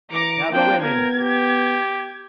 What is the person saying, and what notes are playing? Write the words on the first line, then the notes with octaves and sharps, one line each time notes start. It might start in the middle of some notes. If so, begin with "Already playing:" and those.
"Now the women."
E3 A#5 D6 C#7
F3 A#3 C4 D4 G5
B3 A#4 G#6
G4